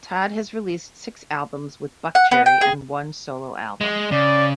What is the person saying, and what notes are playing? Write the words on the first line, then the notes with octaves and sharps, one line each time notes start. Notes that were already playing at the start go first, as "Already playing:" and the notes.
Todd has released six albums with Buckcherry and one solo album.
F#5
B3
G5
G#4
G#3
C#3 D5